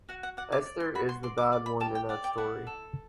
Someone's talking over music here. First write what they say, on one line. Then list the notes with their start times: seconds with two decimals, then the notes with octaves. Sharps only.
Esther is the bad one in that story.
0.09 F#4 F#5
0.23 F#5
0.37 D5 F#5
0.52 D6
0.66 D5
0.80 C6
0.95 F#4 B5
1.09 C6
1.23 D5 C6
1.38 D6
1.52 D5 D6
1.66 B5
1.80 G4 A5
1.95 G5
2.09 D5 F#5
2.24 G5
2.38 E4 F#5
2.67 A4